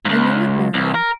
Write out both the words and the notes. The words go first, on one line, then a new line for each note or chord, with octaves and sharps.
"I know it, Marian."
C#2 G#2
C2
A#4